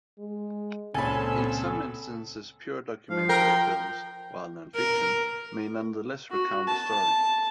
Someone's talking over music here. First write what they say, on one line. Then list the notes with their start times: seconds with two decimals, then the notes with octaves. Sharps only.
In some instances pure documentary films, while nonfiction, may nonetheless recount a story.
0.19 G#3
0.94 C#2 A#2 C4 A4 C#5 G#5 B5
3.10 F3 F5
3.29 A#4 G5
4.75 A#4
6.31 F#4
6.67 A5